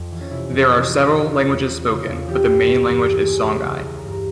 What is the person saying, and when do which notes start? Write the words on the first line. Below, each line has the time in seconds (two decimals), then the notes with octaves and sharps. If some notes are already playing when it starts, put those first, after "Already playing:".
There are several languages spoken, but the main language is Songhay.
Already playing: F2
0.11 E3
0.20 C#4
0.30 C3 E4
0.50 F2
0.70 A#2
0.90 C2
1.09 A#2 F4
1.29 C2
1.49 E2
1.69 E3
1.88 C#3 F4
2.08 E2
2.27 E3 G4
2.47 G2
2.67 E3
2.87 G2
3.06 C#2 G#4
3.26 E3
3.38 G#4
3.46 C#3 A#4
3.65 C#2
3.85 E3 A#4
3.98 A#4
4.05 G2
4.11 A#4